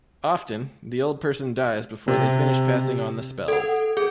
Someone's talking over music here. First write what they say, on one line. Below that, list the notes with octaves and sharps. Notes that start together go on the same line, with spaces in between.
Often, the old person dies before they finish passing on the spells.
C3
A4 F#5
G#4